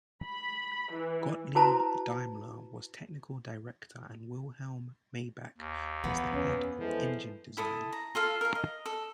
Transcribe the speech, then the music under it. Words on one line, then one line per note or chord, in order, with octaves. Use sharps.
Gottlieb Daimler was technical director and Wilhelm Maybach was the head of engine design.
B5
E3
E4 F#4 B4 C5 A5 A#5
D#2
E3 B3
F2 C#4 B4
E3 F3 G#3 A4
E4 A4 D#6
A#5
F4 A4 F5
A#4 F5
D#5
A4